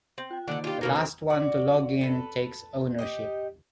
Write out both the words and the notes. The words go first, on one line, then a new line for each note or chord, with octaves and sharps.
The last one to log in takes ownership.
C4
F4 G5
D3 D#3 A#3 D5 F#5 F#6 D7
D4 F4 G4 A4
B2 A#3 C#4 D#4 F#4 G#4 A#4 B4
C4
F#4 D5
A4 B4
D#4 G4 D#5